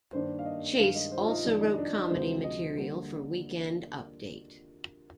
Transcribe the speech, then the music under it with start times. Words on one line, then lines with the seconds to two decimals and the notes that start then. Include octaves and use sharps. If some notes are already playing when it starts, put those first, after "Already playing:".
Chase also wrote comedy material for Weekend Update.
0.13 G2 D#3 A#3 D4 C5
0.39 F5
0.45 D#5
0.78 G2 D#3 G#3 F5
0.95 D#5
1.12 C5
1.20 F4
1.29 D#4
1.44 F2 D#3 G3 D4
1.61 D#4
1.78 D4
1.94 D#4
2.11 D2 C3 F3 G#3 C5
2.44 D#5
2.77 D3 G3 A#3